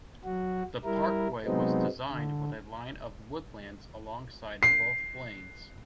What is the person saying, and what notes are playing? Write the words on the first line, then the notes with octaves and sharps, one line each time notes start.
The parkway was designed with a line of woodlands alongside both lanes.
F#3 F#4
G3 E4 A#4
C3 F#3 G#3 B3 C4 D#4
D3
C7